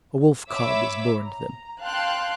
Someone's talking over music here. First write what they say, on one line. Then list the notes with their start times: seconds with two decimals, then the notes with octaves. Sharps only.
A wolf cub is born to them.
0.50 C#5 E5 B5 D6 E6
1.22 A#5
1.83 F5 G5 A5 C6 F#6